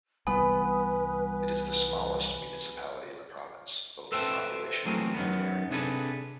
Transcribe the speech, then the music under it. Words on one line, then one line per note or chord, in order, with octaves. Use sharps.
It is the smallest municipality in the province, both in population and area.
C2 E3 G3 B3 B4 G#5
A4 B4 C5 E5 G5 A5
E3 F#3 A3 A#3 C4 G#4
F#2 D#3 B3
C3 D4 G#4 A4 B4